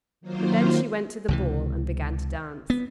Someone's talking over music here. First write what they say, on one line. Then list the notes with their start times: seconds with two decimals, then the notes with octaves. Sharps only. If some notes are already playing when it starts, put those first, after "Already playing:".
But then she went to the ball and began to dance.
0.21 D#3 F#3 A#3 F4 C5
1.28 C#2 C3 E3
2.70 B3